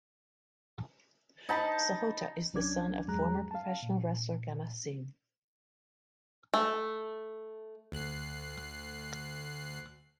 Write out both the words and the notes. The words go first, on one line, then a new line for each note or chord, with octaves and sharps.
Sahota is the son of former professional wrestler Gama Singh.
D#4 A5 B5
C2 F#3 C#4 D4 D6 G#6
E2 F#3 G#3 G#4 A#5 F#6
F5 A5
A#2
A3
D2 F#6 C7